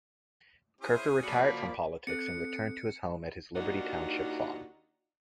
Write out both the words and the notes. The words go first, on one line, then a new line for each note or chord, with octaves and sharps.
Kirker retired from politics, and returned to his home at his Liberty Township farm.
C#4 E4 G#4 C5
F3 A#3 F#4 D5 A5 B5
C4 A4 F#6 C#7
D#2 D4 D#4 F4 F#4